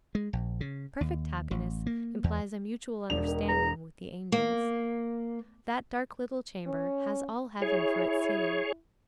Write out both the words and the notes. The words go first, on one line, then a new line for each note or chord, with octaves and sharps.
Perfect happiness implies a mutual understanding with the angels. That dark little chamber has all heaven for its ceiling.
G#3
A#1
C#3
D#2
A1
A#3
E2
E1 D4 F7
D#3
E2 A#5
A#3
C#4
E4 G#4 C#5